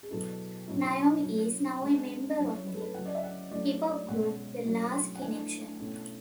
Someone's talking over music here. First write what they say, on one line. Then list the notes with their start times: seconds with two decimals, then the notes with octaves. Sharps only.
Naomi is now a member of the hip-hop group The Last Kinection.
0.03 G#4
0.11 B2 F#3 B3 E4 A4
0.68 B2 F#3 C#4 E4
1.24 F#3 C#4 E4
1.81 C#3 G#3 D4
2.38 F#3 C#4 E4
2.53 C#5
2.67 B4
2.74 A4
2.81 B4
2.94 C#3 F#3 C#4 E4 F#5
3.06 D5
3.15 E5
3.23 F#5
3.51 F#3 A3 E4 D5
3.70 C#5
3.89 D5
4.09 B2 G#3 C#4 F#5
4.65 F#3 A3 C#4 E4
5.15 F#5
5.22 E3 A3 D4 G#5
5.80 B2 A3 C#4 E4